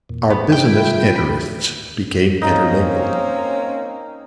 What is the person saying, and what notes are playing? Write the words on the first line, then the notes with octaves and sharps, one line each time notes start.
Our business interests became intermingled.
E2 A#2
B3 B5
D5 D#5 G5
G3 E4 F4 B5
B5
A#3 C4 C#4 D#4